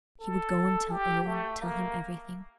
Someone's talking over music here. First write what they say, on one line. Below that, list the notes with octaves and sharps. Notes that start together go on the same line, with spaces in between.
He would go and tell Irwine--tell him everything.
A4
G4
A3
A#3